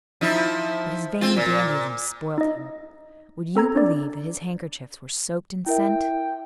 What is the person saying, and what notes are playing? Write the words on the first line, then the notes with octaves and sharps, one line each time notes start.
But his vain dandyism spoilt him; would you believe that his handkerchiefs were soaked in scent?
F3 D#4 E4
C4 F4
A#2
D#4 D#5
C4 A4 A#5 G#6
D4 D5
E4 A#4 E5 G5